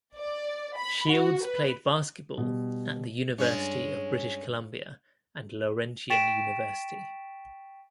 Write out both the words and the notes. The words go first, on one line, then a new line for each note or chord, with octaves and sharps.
Shields played basketball at the University of British Columbia and Laurentian University.
D5
B5
F#4
B4
B2 G3
G2 G#3 C#4
G5 C#6 A6 B6 D7 E7